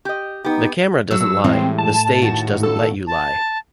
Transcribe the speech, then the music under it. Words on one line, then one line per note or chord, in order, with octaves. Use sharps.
The camera doesn't lie, the stage doesn't let you lie.
G4 D#5
B3 D#4 G4
F#3 A4 E6
A2 E3 G3 G#3 C4
A5
D#2 D#3 F#4
A4
A5